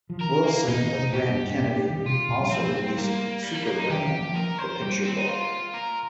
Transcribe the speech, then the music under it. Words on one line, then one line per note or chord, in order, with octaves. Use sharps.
Wilson, with Graham Kennedy, also released "Super Gran: The Picture Book".
F3
D#3 A#4
A#3
A#2 D#4
D#3
C3
A#2 G4
G2
G2
A#2
D#3
C3 F4
A#2
G3
F3 C4
A#3
G3
G3 A#3
G3
A#3
A#3
D#4
D#3 G4
D#3
F3
A#4
C5
G3 G4
C4
D#4
F4
A#4